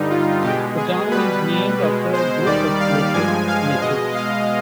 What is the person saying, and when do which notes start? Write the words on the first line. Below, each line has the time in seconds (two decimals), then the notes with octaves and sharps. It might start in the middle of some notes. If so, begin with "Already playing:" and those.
The town is named after a group of local natives.
Already playing: G2 D3 G3 D#4
0.10 F4
0.44 B2 G#3 G4
0.77 G#4
1.11 B2 G3 B4
1.79 B2 G#3
2.13 C5
2.46 D#2 D#3 G3 D5
2.80 F5
3.14 G2 F3 G#3 G#5
3.48 F5
3.82 B2 G#3 D#5
4.15 F5